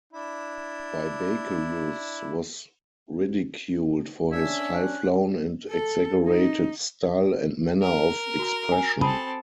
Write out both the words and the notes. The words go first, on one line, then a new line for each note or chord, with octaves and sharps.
Bibaculus was ridiculed for his high-flown and exaggerated style and manner of expression.
D4 E4
C#4 D4 E5 G#6
F#6
A4
D#4
A#4
F#4 A#5
G#5
C4 A4 A5 B5 D#6